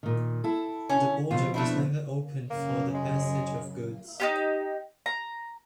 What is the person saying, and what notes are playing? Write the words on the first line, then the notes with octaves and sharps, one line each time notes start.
The border was never opened for the passage of goods.
A#2 D#3
E4 A4
C#4
F2 B2 C4 F4
A3 D4 E4
F#2 C#3 A#3
G#3
D#4 F4 G4
A#5